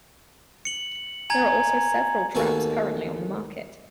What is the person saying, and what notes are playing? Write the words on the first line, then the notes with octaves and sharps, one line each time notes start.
There are also several traps currently on the market.
C#7 F#7
G#5 A#5 G#6
D#2 B2 A3 A#3 G#5 C#6